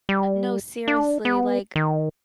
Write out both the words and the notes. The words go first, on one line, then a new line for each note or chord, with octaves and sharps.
No, seriously, like
G3
D4
B3
D#3